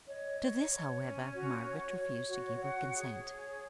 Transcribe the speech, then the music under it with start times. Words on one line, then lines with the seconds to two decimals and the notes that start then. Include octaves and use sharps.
To this, however, Margaret refused to give her consent.
0.07 C#5 D#5
0.39 C#5
0.71 C#5
1.02 C#4
1.34 F#4
1.66 C#5
1.97 C#5
2.29 F#4
2.60 C#5 F#5
2.91 G#4
3.23 C#5